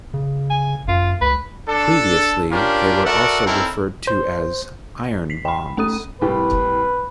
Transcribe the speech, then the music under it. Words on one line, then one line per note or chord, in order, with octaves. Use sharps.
Previously, they were also referred to as 'iron bombs'.
C#3
G#5
F#2 F4
C#2 B4
D4 A4 A5
C#4 D4 F4 G4 A#4
F#4 A4 A#4 D5 E5 F#5
C4 C#4 D#4 E4 A4 A#4
C5
B6 C7
G5 B5
A3 C#4 A4 D#6 D#7
C2 A2 G4 B4